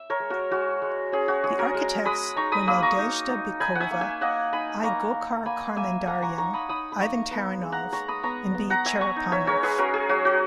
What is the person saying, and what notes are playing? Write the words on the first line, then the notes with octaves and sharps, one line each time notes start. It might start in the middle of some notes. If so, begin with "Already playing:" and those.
The architects were Nadezhda Bykova, I. Gokhar-Kharmandaryan, Ivan Taranov, and B. Cherepanov.
Already playing: E5
A#4 C#5
G#3
F#4 A#4
G#3 F#4
G#3
C#4 G#4
F#4
G#3 G#4
F#4 A#4
G#3
G#3 B5 D#6
D#4 A#5 C#6
B5 D#6
A#3 B5 D#6
A#5 C#6
D#4
D#4
D#4 G#5 B5
F#5
E5 G#5
A#3
E5 G#5
A#3 D#5 F#5
D#4 G#5 B5
A#3 A#5 C#6
A#3
A#3 G#5 B5
A#3 E5 G#5
A#3 F#5 A#5
A#5 C#6
D#4 A#5 C#6
B5 D#6
D#4 B5 D#6
B5
A#3 A#5 C#6
B3
G#3
F#5 A#5
G#3 A#5 C#6
B5 D#6
B3 A#5 C#6
B3
F#5 A#5
B3 E5 G#5
A#5 C#6
D#4
C#5 E5
G#3 A#4 C#5
G#4 B4
C#4 F#4 A#4
G#4
F#3 F#4
F#4